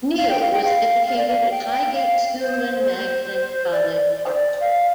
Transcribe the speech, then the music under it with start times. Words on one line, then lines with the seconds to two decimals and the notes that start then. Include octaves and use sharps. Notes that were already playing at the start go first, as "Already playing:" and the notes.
Neill was educated at Highgate School and Magdalen College, Oxford.
0.18 F5
0.30 G5
0.41 F5
0.53 G5
0.65 F5
1.07 F5
1.18 D5
1.28 F5
1.51 G5
1.96 F5
2.40 C5
2.84 C5
3.72 D5
4.16 D5
4.26 C5
4.35 D5
4.61 F5